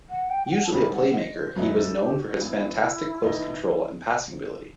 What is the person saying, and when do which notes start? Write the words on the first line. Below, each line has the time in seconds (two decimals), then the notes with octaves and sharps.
Usually a playmaker, he was known for his fantastic close control and passing ability.
0.09 F#5
0.29 G5
0.46 G5
0.51 F#5
0.64 A5
0.72 E1 E2 D#3 G3 C4 B5
0.92 F#5
1.14 D#5
1.34 C5
1.55 G1 F#2 F#3 A3 D#4 B4
1.76 A4
1.98 G4
2.19 F#4
2.39 A1 G2 E3 B3 E4
3.23 E2 D#3 A3 D#4